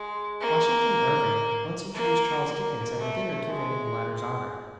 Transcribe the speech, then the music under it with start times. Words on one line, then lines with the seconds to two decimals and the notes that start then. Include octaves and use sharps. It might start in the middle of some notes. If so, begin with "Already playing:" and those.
Washington Irving once introduced Charles Dickens at a dinner given in the latter's honor.
Already playing: G#3
0.41 A#3
1.95 A#3
2.47 A#3
2.99 A3
3.50 G#3